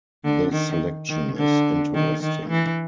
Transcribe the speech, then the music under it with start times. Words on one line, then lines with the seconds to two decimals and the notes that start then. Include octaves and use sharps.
The selection is interesting.
0.24 D3
0.53 D#3
1.09 D#3
1.37 D3
1.94 D#3
2.23 D#3
2.50 E3